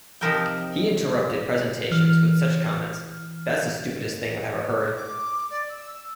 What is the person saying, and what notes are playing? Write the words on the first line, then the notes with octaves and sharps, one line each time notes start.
He interrupted presentations with such comments That's the stupidest thing I've ever heard!
C3 F3 D#4 A#4 E5 G5
E3 F6
D6
D5
E6